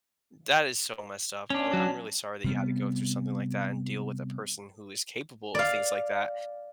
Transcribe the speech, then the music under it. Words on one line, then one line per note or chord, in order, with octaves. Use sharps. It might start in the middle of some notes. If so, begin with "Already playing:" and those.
that is so messed up, I'm I'm really sorry that you had to go through something like that and deal with a person who is capable of things like that,
C#4 D4
F#3
C3 G3 B3
D5 F5